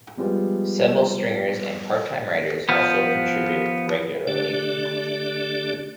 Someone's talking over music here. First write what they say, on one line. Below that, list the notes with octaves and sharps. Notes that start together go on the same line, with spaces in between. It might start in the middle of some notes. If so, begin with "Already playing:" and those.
Several stringers and part-time writers also contribute regularly.
F3 G3 G#3 B3 F4
F3 B3
D3 A3 D4 G4 D5